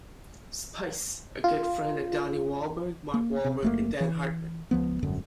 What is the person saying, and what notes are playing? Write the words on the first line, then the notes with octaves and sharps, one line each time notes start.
Spice, a good friend of Donnie Wahlberg, Mark Wahlberg, and Dan Hartman.
F4
A#3
C3
F#1 A3 A#3
E3
C#2 F3 B3
D#1 G#1 F#2 D3